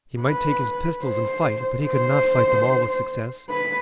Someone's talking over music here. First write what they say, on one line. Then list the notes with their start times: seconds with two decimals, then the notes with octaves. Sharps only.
He might take his pistols and fight, but he could not fight them all with success.
0.21 B4
1.04 C5
1.85 C5
3.50 B4